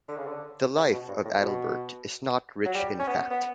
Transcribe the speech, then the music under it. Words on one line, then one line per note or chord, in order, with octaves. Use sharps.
The "Life" of Adalbert is not rich in fact.
D3
C#3
D3
C#3
B2
G2
A2
B2
F#3
G3
C#4
B3
B3